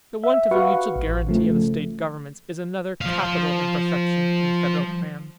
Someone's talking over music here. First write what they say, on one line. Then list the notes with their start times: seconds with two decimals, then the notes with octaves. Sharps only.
The want of a mutual guaranty of the State governments is another capital imperfection in the federal plan.
0.24 E5
0.51 F#4 B4 F5 F#5 C#6
0.96 A1
1.27 C#3 F3 A3
3.01 F3 F5